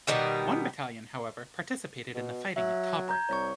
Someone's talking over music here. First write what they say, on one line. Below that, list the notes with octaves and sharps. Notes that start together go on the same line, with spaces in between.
One battalion, however, participated in the fighting at Tobruk.
B2 D#3 G3 B3
B2
F#3 E5
A#5 G6 G#6
C2 C#5 C#6